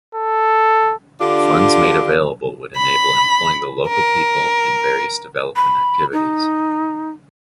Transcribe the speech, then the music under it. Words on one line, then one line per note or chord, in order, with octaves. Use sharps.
Funds made available would enable employing the local people in various development activities.
A4
D3 D4 F4 G4
B5
A#4
B5
D#4